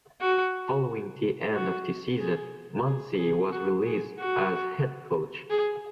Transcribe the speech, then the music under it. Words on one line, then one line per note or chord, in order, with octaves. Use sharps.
Following the end of the season, Munsey was released as head coach.
F#4
F#4
G#4
G#4
G#4
F#4
G#4
F#4
G#4